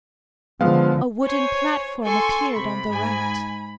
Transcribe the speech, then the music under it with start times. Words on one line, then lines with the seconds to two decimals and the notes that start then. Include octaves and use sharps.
A wooden platform appeared on the right.
0.61 D3 F3 G#3 B3 F5
1.25 C5 C#5 G#5 G#6
2.04 A4 G#5 C6 C#6
2.56 C3 B5
2.91 G#2 G#5